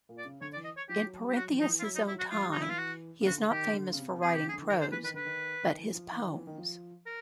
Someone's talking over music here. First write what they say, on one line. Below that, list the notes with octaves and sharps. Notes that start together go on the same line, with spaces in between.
In Parthenius' own time he is not famous for writing prose but his poems.
A#2
D5
C#3
D3 C#5
D5
E3
D#5
C#5
F3 G4
F#3
G3
G4
F#3 F#4
E3
F3 D#4
E3
F4
F#3 E4
D#4
F#3 E4
F#4
F3 F4
G3
F3 D#4
E4
E3 F4
F#4
C#3
D3 F#4
D#3 G4
D3
C#3
C3
C3 G#4
C#3 G4
G#4
D3
E3
D#3 A#4
C5
E3 B4
D#3 B4
D3 B4
D#3
D#3
E3
F3
E3
D#3
F3
E3
D#3
F3
A#4